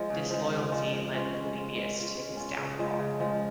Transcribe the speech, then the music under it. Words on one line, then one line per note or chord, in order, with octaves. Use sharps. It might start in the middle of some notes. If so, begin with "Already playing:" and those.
Disloyalty led Polybius to his downfall.
Already playing: F3 G#3
C#3
F3 G#3
C#3
F3 G#3
G#3
C#4 F4
G#3
C#4 F4
G#3
C#4 F4
G#3
C#4 F4
C#3
F3 G#3
C#3
F3 G#3